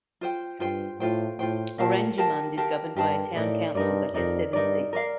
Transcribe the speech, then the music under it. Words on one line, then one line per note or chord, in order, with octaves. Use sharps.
Oranjemund is governed by a town council that has seven seats.
F4 C5 G5
G2 F4 C5 G5
A2 F4 C5 G5
A2 F4 C5 G5
A#2 G4 A#4 F5 A5
G4 A#4 F5 A5
G4 A#4 F5 A5
G2 G4 A#4 F5 A5
A2 D#4 A#4 D5
G2 D#4 A#4 D5
F2 D#4 A#4 D5
G2 D#4 A#4 D5
A#4 D5 F5